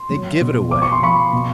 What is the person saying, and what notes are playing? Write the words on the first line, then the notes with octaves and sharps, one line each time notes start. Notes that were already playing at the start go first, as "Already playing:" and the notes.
They give it away.
Already playing: C6
F#3
B2
F3 D6
C#6
C6
F3 B5 C#6
B2